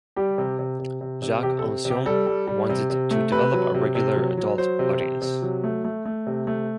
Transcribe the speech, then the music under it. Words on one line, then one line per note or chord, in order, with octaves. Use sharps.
Jacques Ancion wanted to develop a regular adult audience.
G3 G4
C3
C3
C3
C3
C3
C3 G4
A4
C3
C3
G4
G3 A4
G3
G3
C3
C3
A3
C3 B4
F#3
C3
C3
F#3
F#3
F#3 C5
C3
C3
C3
F#3
A3
A3
A3
C3
A3